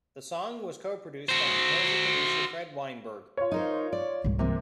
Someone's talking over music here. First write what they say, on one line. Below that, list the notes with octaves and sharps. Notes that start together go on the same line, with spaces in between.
The song was co-produced by composer-producer Fred Weinberg.
F#4 C5
F4 C#5
D#4 A#4 C5
D5
C2 G#2
C3 E3 A#3